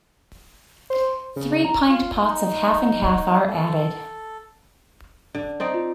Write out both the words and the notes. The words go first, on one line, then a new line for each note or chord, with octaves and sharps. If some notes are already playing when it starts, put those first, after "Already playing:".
Three pint pots of half-and-half are added.
C5
C#3
A#5
F4
D#4
A4
D3
C4 D#4 D5
F4